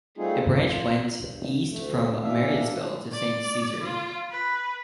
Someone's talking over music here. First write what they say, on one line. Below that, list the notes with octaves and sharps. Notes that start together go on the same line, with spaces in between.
A branch went east from Mariesville to Saint Cesarie.
G3 A3 C4 D#4 F4 G#4
A3
F4
G2
D2 A3
B2 E3 D4 E5 F5
D5
F4
B4